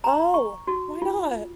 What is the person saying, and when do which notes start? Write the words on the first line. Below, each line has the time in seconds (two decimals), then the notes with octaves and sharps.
Oh! Why not?
0.04 A#5
0.34 C#6
0.67 F#4
1.02 F4